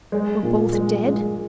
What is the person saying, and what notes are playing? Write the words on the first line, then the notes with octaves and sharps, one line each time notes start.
Were both dead?
G#3
A#2
G#3
G#3